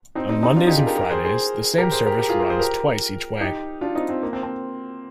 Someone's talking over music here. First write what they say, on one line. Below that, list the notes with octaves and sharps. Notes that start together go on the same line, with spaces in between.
On Mondays and Fridays, the same service runs twice each way.
C4 D#4
C4 D#4
C4 D#4
D4 F4
D#4 G4
F4 G#4
G4 A#4
G4 A#4
G#4 C5
G#4 C5
G4 A#4
G#4 C5
G4 A#4
G4 A#4
F4 G#4
G4 A#4
G#4 C5
G4 A#4
D#4 G4
D4 F4
C4 D#4
C4
A#3
C4
C4